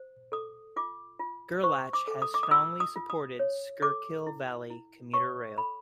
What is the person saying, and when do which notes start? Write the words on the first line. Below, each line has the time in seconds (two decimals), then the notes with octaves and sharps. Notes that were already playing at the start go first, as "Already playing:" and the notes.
Gerlach has strongly supported Schuylkill Valley commuter rail.
Already playing: C5
0.32 A4 D#6
0.76 F4 D6
1.19 F4
1.63 C5 C#6
1.93 D6
2.07 A4
2.22 D#6
2.34 D6
2.43 D#6
2.51 F4 E6
2.80 D#6
2.96 F4
3.10 D#6
3.39 C#5
3.82 A4 D6
4.27 E4
4.70 E4
5.14 C#5 C#6
5.58 A4 B5